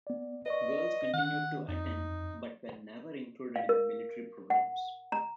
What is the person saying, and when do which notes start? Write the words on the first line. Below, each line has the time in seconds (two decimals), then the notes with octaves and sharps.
Girls continued to attend but were never included in military programs.
0.07 B3 D5
0.46 B4 D5 D#5 C#6
1.13 D#3 F#5
1.68 F2 D#4
3.56 F5
3.69 A#4
4.50 F#5
5.12 A#5